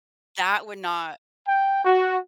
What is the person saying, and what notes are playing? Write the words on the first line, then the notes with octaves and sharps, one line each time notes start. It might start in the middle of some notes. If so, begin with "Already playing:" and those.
That would not
G5
F#4